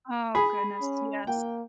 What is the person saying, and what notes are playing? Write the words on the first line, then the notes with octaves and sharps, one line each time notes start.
Oh, goodness, yes.
G#4 B5
C#4
A#3 G5